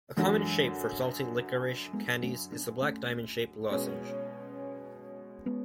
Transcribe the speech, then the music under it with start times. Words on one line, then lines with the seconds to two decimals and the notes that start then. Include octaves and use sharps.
A common shape for salty liquorice candies is a black diamond-shaped lozenge.
0.17 F#2 D3 E3 F#3 G#3
1.93 G#3 B3
2.23 A3 C#4
2.52 B3 D4
2.82 A3 C#4
3.69 B2 G#3 C#4
5.46 G#3 B3